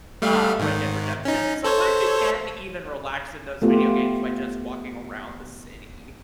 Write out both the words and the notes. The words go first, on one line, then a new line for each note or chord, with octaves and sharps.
uh, Red Dead Redemption, sometimes you can even relax in those video games by just walking around the city.
G3 A3 F5
G#2 D#3
C#4 D#4
A4 C5 C#5
A3 B3 F4 G4